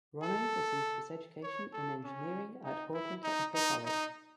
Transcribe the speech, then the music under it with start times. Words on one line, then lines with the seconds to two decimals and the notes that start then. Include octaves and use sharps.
Ronne received his education in engineering at Horten Technical College.
0.23 A4
1.43 C#5
1.73 A4
2.04 C#4
2.64 D#4
2.93 E4
3.23 D#4
3.54 D#4
3.84 D#4